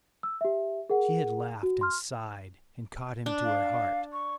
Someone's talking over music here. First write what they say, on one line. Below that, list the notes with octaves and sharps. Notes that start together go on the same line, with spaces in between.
She had laughed and sighed and caught him to her heart.
E6
G4 E5
G#4 A#4 F#5
F#4
C6 F6
D4
F5
C#6